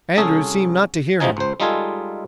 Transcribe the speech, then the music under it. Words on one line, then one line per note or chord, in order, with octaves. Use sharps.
Andrews seemed not to hear him.
C2 C#4 G#4 A4
G1 E2 C3 F3 D#4 G#5
C#2 C5
G3 G#3 D#4 F4 A4 G#5